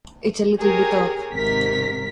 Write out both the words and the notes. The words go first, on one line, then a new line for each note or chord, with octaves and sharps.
It's a little bit off.
G4 G#4 A#4 C#5
G#1 G#2 C3 A#4 B6